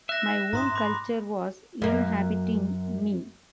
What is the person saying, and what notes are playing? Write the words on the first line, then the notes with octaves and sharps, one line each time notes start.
My own culture was inhibiting me.
E5 F#6 A#6
G#2 A#5 C6 D#6
B5 D6
F#2 A#3